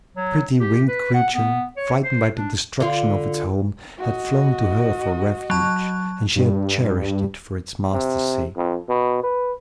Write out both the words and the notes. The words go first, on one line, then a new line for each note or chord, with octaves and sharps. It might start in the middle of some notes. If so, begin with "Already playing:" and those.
The pretty winged creature, frightened by the destruction of its home, had flown to her for refuge, and she had cherished it for its master's sake.
F#3
G4
B4
F#5
B3
C#5
C5
D4
D3 F4
F#4 D#5
F#3 A5
G2
C3
F2
B2
B4